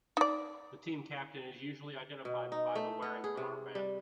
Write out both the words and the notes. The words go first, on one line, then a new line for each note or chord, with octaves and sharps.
The team captain is usually identified by the wearing of an armband.
D#4 D5
B2
D#4
A3
B3
G#4
C3
G3